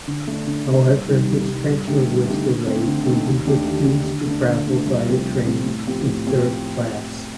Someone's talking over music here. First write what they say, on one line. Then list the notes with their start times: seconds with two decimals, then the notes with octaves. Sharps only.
However, his transfer was delayed when he refused to travel via train in third-class.
0.07 D3
0.27 A3 D4
0.47 D3
0.68 A3 D4
0.88 C2
1.07 C3 D#3 G3
1.28 C2
1.47 C3 D#3 G3
1.68 G2
1.88 D3 A3 D#4 G4
2.07 G2
2.27 D3 A3 D#4 G4
2.47 D3
2.67 A3 C4 D#4
2.87 D3
3.07 A3 C4 D#4
3.27 D#2
3.47 D3 A3 D4 G4
3.67 D#2
3.87 D3 A3 D4 G4
4.07 D3
4.27 A3 D4
4.47 D3
4.67 A3 D4
4.87 C2
5.06 C3 F3 A3 C4
5.27 C2
5.46 C3 F3 A3 C4
5.66 A2
5.86 F3 C4 G4
6.06 A2
6.26 F3 C4 G4